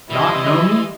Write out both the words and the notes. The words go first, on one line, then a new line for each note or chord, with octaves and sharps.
Not know me!
E3 G3 E4 D#5 C6